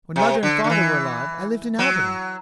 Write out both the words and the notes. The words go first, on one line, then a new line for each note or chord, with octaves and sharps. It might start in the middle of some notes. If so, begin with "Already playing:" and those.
When mother and father were alive I lived in Albany.
C3
D3
D3
E3
F#3